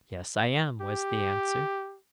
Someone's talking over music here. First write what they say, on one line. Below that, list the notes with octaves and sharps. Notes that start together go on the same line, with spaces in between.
'Yes, I am,' was the answer.
G4